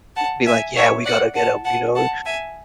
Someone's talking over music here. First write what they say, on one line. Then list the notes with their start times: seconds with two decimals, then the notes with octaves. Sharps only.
be like, "Yeah. We gotta get him," you know,
0.16 F#5 A5
0.46 E5 G#5
0.76 C#5 E5
1.05 D5 F#5
1.35 F#5 A5
1.65 F#5 A5
1.95 F#5 A5
2.25 E5 G#5